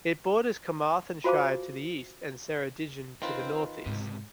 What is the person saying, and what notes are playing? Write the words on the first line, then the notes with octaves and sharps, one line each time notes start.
It borders Carmarthenshire to the east and Ceredigion to the north east.
F4 F#4 C5 F5 A5 D6
D#3 C4 F4 B4
C#2 G#2 C3